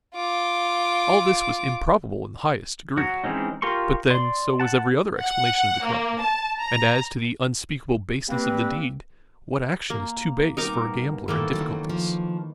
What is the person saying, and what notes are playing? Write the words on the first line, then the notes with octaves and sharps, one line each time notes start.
All this was improbable in the highest degree, but then so was every other explanation of the crime; and as to the unspeakable baseness of the deed, what action is too base for a gambler in difficulties?
F4 D6
F#3 F#4
E3 G#3 C4 C#4 D#4
F4 G4 A#4 C6 C#6
D5 C6
F#5 A5
F#5
A#3
A5
A#5
G3 A#3 C4 B4
A#3
G2 B2 D#4 A#4 D6
D#3 E3 A3 A#3 A4
C#3 F#3
F3